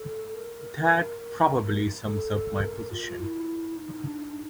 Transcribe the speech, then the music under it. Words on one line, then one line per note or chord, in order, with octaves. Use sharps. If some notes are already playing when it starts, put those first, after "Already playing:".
That probably sums up my position.
Already playing: A4
A#4
A4
A#4
F4
E4
D#4
D4
D#4